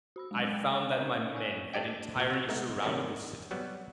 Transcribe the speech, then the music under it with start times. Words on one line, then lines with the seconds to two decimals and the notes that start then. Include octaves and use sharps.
I found that my men had entirely surrounded the city.
0.16 F#4 B5 E6
0.31 F#3 G#3
0.52 G5 D6
0.73 C#5 F5 G5 A#5 C#6
0.98 C#4 D#4 A#4 C5 D5 F5
1.33 C#5 D5 G#5 C#6 E6 F#6
1.74 A3 D4 G4 D5 G5
2.16 A#2 F#4
2.30 C3 F#4
2.48 G#3 A3 B3 D#4
2.82 C3 D#3 G3 C#4 F#4 A#4
3.51 F#3 G3 B3